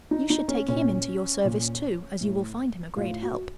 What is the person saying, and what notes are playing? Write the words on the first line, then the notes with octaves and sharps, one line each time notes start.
You should take him into your service too, as you will find him a great help.'
D#4
D#4
C#4
A#2 C#4
A#2
A2
A2 F4
F#4